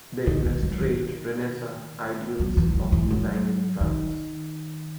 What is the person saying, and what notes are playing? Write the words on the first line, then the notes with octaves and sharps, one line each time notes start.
They illustrate Renaissance ideals of design in France.
D#3
D#3
F#3
D#3
F#3
E3
F#3
E3
F#3
D#3